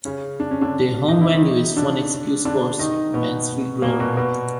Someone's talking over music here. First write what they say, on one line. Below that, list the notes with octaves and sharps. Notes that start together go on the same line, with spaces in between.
Their home venue is Phoenix Cue Sports, Mansfield Road.
C#3 C#4
D4
C#4
D3 D4
D#4
E4
D#3 D#4
D3 D4
D3 D4
D#3 D#4
B2 B3
A#2 A#3
B2 B3
B2 B3